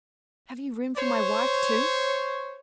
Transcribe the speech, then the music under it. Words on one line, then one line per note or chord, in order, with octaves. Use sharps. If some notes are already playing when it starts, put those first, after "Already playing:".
Have you room for my wife, too?'
C5 C#5